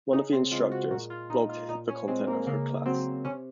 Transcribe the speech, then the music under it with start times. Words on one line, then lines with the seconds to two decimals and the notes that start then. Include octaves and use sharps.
One of the instructors blogged the content of her class.
0.13 C#3 D#4
0.33 C4
0.51 G#3 F4
0.71 F#4
0.91 A#2 F#4
1.10 F4
1.30 A#2 D#4
1.49 F4
1.69 A#2 D#4
1.89 C#4
2.08 G#3 C4
2.27 A#3
2.47 C#3 A#3
2.85 F#3 C4
3.25 C3 C#4